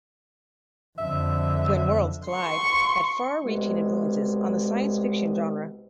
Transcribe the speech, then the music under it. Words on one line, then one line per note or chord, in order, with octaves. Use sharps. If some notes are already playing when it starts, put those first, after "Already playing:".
"When Worlds Collide" had far-reaching influences on the science fiction genre.
F2 D3 E5
C6 C#6
C2 B2 G#3